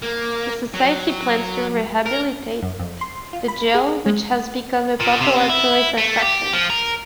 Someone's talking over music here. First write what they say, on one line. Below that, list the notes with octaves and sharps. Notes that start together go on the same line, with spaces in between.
The society plans to rehabilitate the jail, which has become a popular tourist attraction.
A#3
F#3
A#4
F#2
F2
C6
F4
B5
G#4
G#3
A#2
C3
E4
A3
G4
F3
A#4